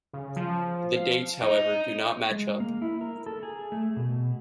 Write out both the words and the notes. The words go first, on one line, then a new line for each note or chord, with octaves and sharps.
The dates, however, do not match up.
C#3
F3
F5
D#4
G#3
A#3
E4
A#4
A4
G#4
A3
B2